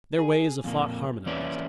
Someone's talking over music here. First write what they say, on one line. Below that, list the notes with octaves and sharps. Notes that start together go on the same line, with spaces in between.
Their ways of thought harmonized.
G#4
F2 A#2 A#3
E3 A#3 C#4 E4 B4 D5